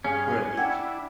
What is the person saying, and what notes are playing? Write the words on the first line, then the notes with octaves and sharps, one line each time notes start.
but y
G2 C#4 G#4 F5
D4 E4 F#5 G5 G#6